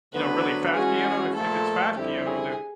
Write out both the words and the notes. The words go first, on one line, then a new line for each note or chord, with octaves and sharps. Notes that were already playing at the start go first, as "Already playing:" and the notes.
you know, really fast piano. If if it's fast piano, then
D2 D3 F#3 B3 D4 B4
E3 G#3 C#4 F#4 G#4
A#2 F3 A3 A4
F2 D3 G3 C4 E4 G4
G#4